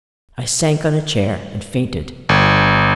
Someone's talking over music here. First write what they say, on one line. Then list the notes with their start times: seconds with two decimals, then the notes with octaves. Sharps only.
I sank on a chair and fainted.
2.29 G1